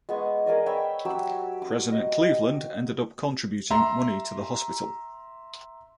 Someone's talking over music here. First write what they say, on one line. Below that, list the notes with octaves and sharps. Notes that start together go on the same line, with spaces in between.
President Cleveland ended up contributing money to the hospital.
G#3 B3 C#6
G#4 A#4 D5 D#5
C#5 E5 G5 B5
F#3 G4 E6
D6 D#6
D#5
E5 A#5 C6